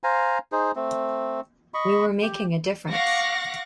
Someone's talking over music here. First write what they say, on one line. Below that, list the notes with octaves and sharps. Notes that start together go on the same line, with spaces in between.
We were making a difference.
C5 F5 G#5 A#5
D#4 G#4 C5
A3 C4
D#5 B5 C#6
G4
F5 F#5 C#6 D6 A#6